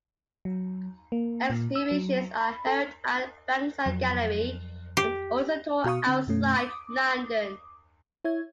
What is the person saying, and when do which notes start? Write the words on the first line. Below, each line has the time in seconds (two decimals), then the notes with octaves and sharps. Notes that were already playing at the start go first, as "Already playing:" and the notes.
Exhibitions are held at Bankside Gallery and also tour outside London.
0.45 F#3
1.12 A#3
1.50 A#2
1.75 E6
1.91 F#3
2.41 B5
2.67 A4
3.86 F2 F#3
4.97 G4
5.84 B2 F#4 F5 C#6 D#6
6.07 D3 C4
6.27 F#2 B2 A3 C#4
6.56 D6 D#6
8.25 E4 C#5 E5 G#6